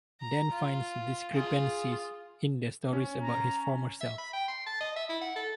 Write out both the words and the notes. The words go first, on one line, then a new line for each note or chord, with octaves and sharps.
Dan finds discrepancies in the stories about his former self.
A#5
F4
F4 G#4
C#4
A#5
E5
B5
G5
C6
A5
D#5
E5
E4
F#5
A4